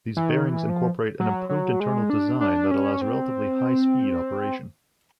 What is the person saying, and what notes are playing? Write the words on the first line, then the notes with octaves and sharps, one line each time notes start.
These bearings incorporate an improved internal design that allows relatively high-speed operation.
E3
D#3
E3
F3
F#3
F#3
G#3
D4
D4
C#4
C4